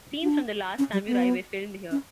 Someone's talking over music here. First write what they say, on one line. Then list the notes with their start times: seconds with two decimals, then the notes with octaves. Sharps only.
Scenes from "The Last Samurai" were filmed here.
0.22 D4
0.78 C#4
0.93 G3
1.07 B3
1.91 C#4